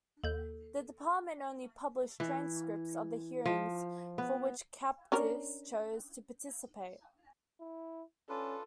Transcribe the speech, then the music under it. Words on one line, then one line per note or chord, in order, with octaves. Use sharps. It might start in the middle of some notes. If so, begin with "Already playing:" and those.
The Department only published transcripts of the hearings for which captives chose to participate.
D#2 A4 G6
E3
F3
B3
C#4 D4 A#4
E4
C#4 D4 F4 A4 B4